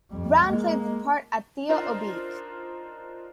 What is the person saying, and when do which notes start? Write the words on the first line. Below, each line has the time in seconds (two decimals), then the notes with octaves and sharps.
Brown played the part at Theo Ubique.
0.10 F2 G3
0.44 G#3 A#3
1.69 D4 D#4 F4 A#4 C5